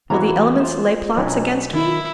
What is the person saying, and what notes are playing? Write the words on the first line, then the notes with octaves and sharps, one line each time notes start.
Will the elements lay plots against me?
E2 G#2 E3 C#4 E4 F#4 A#4 A#5
F4 C5
B1 C#4 D4
D#3 E4